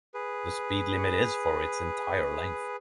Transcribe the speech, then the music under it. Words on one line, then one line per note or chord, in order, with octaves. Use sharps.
The speed limit is for its entire length.
G#4 B4